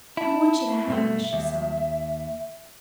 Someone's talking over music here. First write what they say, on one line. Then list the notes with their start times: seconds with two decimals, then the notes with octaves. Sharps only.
"I want you to have this," she sobbed.
0.17 E4 A5
0.88 G2 B2 A3 E5
1.33 D#2